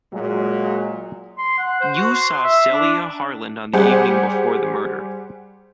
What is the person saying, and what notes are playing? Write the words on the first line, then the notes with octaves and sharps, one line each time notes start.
You saw Celia Harland on the evening before the murder.
A#2 F#3 G#3
C6
F#5
C5
F#4
C6
E5
D4
G3 G4 G#4 C5 F#5